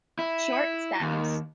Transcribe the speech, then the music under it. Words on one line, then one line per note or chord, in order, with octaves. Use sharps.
Short stems.
E4
D#2